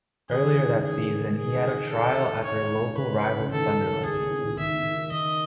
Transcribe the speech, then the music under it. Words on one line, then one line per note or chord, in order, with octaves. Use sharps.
Earlier that season, he had a trial at their local rivals Sunderland.
D#3 G#4
E3
D#3
C#3
D#3 G#4
G#4
A4
C#5
C#3 B4
C#3
D#3 A4
G#4
D#3 E5
D#3 D#5